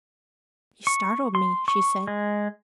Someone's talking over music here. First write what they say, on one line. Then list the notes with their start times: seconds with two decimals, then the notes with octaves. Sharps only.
"You startled me," she said.
0.87 C#6
1.35 C6
1.68 C#6
2.07 G#3